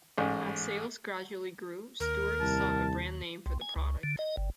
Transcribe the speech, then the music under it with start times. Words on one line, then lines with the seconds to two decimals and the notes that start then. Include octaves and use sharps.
As sales gradually grew, Stuart sought a brand name for the product.
0.18 A1 G#2
2.00 D#2 A#4
2.40 C2 A5
3.46 C2
3.61 G#5
3.76 C#2
4.03 D3
4.19 D#5
4.37 G1